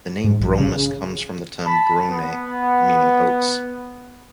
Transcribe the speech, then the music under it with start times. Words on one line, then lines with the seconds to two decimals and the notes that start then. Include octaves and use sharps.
The name "Bromus" comes from the term brome, meaning oats.
0.24 G#2
0.41 A#1
0.59 C#3
1.65 A5 B5
2.10 B3